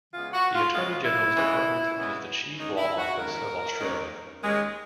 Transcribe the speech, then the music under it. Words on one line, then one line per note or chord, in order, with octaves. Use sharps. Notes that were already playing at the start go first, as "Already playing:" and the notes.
The Attorney-General's Department is the chief law office of Australia.
C#3 E3 G#3 B3 F4
F#4
F4
C#3 E3 G#3 B3 F4
E4
C#3 E3 G#3 B3
C#3 E3 G#3 B3
D#2 D#3 G#3 C#4 D#4
E4
F#4
D#2 D#3 G#3 C#4 A#4
D#2 D#3 G#3 C#4
D#2 D#3 G#3 C#4